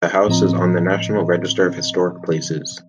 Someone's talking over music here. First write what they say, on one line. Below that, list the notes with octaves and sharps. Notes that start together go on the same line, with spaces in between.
The house is on the National Register of Historic Places.
A2 F3 C4 D#5 A#5